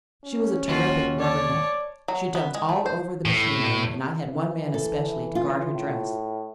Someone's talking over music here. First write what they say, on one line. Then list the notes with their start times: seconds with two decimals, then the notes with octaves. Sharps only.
She was a terrific 'rubberneck.' She jumped all over the machinery, and I had one man especially to guard her dress.
0.25 C#4
0.68 D#2 F4 F#4
1.19 C#5 D5 A5
2.08 F#3
2.35 B3
2.55 G#3
2.69 A3
2.86 C5
3.26 A2
4.24 E3
4.74 A4
5.35 F4
5.73 A2